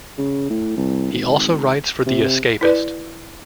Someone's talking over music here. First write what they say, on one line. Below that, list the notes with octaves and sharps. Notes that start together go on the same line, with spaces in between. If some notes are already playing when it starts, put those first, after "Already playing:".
He also writes for "The Escapist".
C#3
A2
C2
G#1
C3
E4 B4 D5